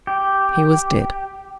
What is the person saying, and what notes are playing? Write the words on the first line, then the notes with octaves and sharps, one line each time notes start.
He was dead!
G4